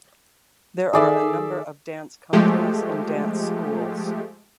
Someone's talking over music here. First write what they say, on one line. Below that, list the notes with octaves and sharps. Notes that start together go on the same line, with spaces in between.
There are a number of dance companies and dance schools.
D#3 G#4 A4 D5 E5
F3 G#3 A3 G4